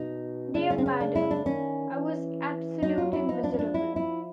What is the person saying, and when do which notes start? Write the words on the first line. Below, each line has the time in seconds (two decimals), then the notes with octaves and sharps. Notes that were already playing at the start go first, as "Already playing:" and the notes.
Dear madam, I was absolutely miserable!
Already playing: B2 D#4
0.55 C#3 D4
0.70 C#4
0.78 C4
0.86 C#4
1.00 D4
1.15 E4
1.31 D4
1.45 D#3 C#4
1.91 E3
2.82 F#3 D#4
2.98 F4
3.13 E4
3.28 F3 D#4
3.44 D4
3.54 C#4
3.59 D4
3.74 E4
3.96 E4